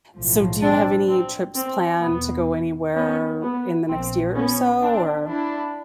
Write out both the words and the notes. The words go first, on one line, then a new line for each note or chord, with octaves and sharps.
So, do you have any trips planned to go anywhere in the next year or so, or
B1 A2 F3
C4 D4
C4
C4
E2 B2 B3
B3 C#4
B3
A#1 A#2 F3 C4
B3 C#4
C4 D4
D4 E4